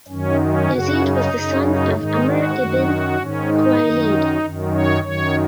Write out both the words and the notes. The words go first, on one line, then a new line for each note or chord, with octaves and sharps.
Yazid was the son of Amr ibn Khuwaylid.
F#2 D#3 C#4
C#4
F#2 C#3 F#4
D#4
F#2 C#3
D#4
G#2 D#3 D#4
F#4
F#2 D#3
G#2 D#3 C#4
D#4
F#2 D#3
F#2 D#3
C#5
F#2 D#3 C#5